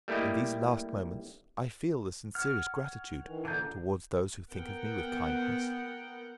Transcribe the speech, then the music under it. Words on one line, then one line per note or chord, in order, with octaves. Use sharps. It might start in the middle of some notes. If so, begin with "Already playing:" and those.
In these last moments I feel the sincerest gratitude towards those who think of me with kindness.
G3 A3 A#3 E4 G4 D#5
C#5 F#5 F6
D#3 E3
A#2 D3 E3 D4 A#4 D#5 G6
B3 A#4 F#5 G5